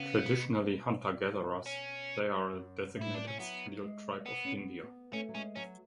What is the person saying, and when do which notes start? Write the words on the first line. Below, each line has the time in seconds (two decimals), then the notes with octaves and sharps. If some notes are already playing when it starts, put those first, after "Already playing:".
Traditionally hunter-gatherers, they are a designated Scheduled Tribe of India.
Already playing: C#3 B3
0.35 B2
1.66 C#4
2.52 F#2
2.96 A2 E4
3.14 D4
3.27 C#4
3.39 F#3 B3
3.83 G#3
4.26 B3
4.45 C#4
4.55 B3
4.83 B3
5.12 A3 C#4
5.29 F#3
5.35 G#3 C#4
5.56 F#3 C#4